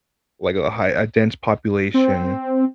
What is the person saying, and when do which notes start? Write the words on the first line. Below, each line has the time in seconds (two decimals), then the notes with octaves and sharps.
like, a high a dense population,
1.94 C4